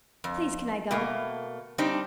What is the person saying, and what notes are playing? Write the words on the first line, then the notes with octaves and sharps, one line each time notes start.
Please can I go?
F2
B2 A3 A#3
G3 C4 D4 D#4